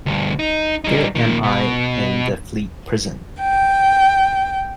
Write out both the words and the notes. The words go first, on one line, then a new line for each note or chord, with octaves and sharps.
Here am I in the Fleet Prison.
D2 G2
D#4
G3 D#4
A#2 D#3
B2
G5